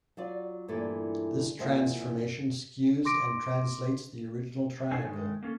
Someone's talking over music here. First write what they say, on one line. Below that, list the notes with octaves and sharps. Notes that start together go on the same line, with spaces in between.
This transformation skews and translates the original triangle.
F#3 F4 D5
G2 A#2 E3 A3 A4 D5
E2 A#2 C5 D#5 E5 A5
C6 D6 A#6 D7
A3 D4 D#4 G#4 A4 G#5
D#3 G#3 A3
A#3 C#4 A4